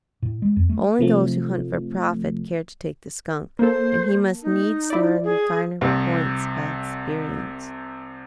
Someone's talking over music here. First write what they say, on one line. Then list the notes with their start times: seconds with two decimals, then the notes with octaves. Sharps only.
Only those who hunt for profit, care to take the skunk, and he must needs learn the finer points by experience.
0.22 A2
0.42 G#3
0.56 F2
0.70 A3
0.99 C3 F3 A3
3.59 A#3 A4 C5
4.43 D#4
4.90 E4 D5
5.24 G#4
5.81 C2 C3